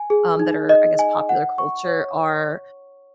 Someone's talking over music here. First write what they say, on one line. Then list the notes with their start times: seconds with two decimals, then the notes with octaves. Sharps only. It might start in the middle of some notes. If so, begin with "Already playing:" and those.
um, that are, I guess, popular culture are
Already playing: G#5
0.10 G#4
0.40 D#4
0.69 D#5
0.99 G#5
1.29 F#5
1.58 C#6
1.87 C#5